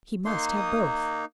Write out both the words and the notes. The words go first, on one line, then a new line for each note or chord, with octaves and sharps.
He must have both.
A#3 D#4 C6
D#6